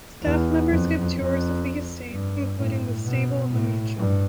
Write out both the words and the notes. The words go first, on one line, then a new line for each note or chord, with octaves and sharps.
Staff members give tours of the estate, including the stable and the mansion.
E2
F2
F2
G2
A2
B2
A2
G2